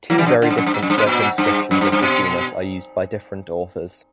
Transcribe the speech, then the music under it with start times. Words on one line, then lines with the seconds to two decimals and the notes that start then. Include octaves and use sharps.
Two very different circumscriptions of the genus are used by different authors.
0.10 F#3 A#3
0.18 E3 G3
0.26 D3 F#3
0.42 D3
0.51 G2
0.58 F#2
0.66 G2
0.74 A#2
0.83 F#2
0.90 G2
0.98 B2
1.07 A#2
1.38 G2
1.71 F#2
1.81 G2
1.92 G2
2.02 B2